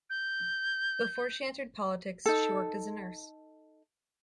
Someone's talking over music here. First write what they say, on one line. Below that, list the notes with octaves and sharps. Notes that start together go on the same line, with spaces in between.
Before she entered politics she worked as a nurse.
G6
D#4 A4